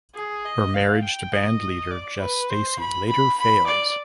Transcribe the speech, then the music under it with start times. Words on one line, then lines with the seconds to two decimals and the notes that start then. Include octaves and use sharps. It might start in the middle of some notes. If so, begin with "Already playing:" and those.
Her marriage to bandleader Jess Stacy later fails.
0.15 G#4
0.45 D#5
0.74 F5
1.03 G5
1.32 D#5
1.91 D5
2.20 B4
2.49 C5
2.79 B5
3.09 B5
3.38 B5
3.67 D5